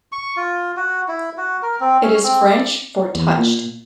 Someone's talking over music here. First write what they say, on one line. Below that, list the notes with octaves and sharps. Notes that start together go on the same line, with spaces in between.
It is French for touched.
C#6
F4
F#4
E4
F#4
A#4
C4
C#4
C4
D5
E2
A#2